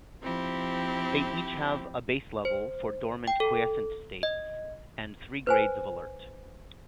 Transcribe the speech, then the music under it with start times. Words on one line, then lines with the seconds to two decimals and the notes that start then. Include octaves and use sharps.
They each have a base level for dormant-quiescent states and three grades of alert.
0.22 F3 C4 E4 G4
2.45 C5
3.27 G5
3.40 A4
4.23 D#5
5.47 B4 C5 G#5